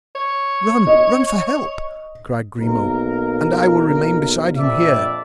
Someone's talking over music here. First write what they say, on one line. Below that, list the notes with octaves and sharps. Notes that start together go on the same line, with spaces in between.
"Run! run for help!" cried Grimaud, "and I will remain beside him here."
C#5
D#5
B1 A#3 A#4
A#1 F2 D5 E5